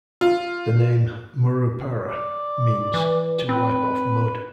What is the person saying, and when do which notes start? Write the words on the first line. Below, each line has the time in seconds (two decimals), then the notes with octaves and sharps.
The name "Murupara" means "to wipe off mud".
0.21 F4
2.09 D5
2.94 E3
3.49 C4 B4